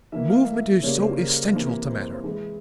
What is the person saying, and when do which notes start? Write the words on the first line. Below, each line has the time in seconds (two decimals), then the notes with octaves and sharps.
Movement is so essential to matter!
0.12 E3 A#3 E5
0.30 F5
0.47 E5
0.82 C#3 G3 A#3 C#5
1.00 C5
1.18 A#4
1.53 C3 E3 A#3 C5
1.89 C5
2.00 C5
2.13 C5
2.24 E3 G#3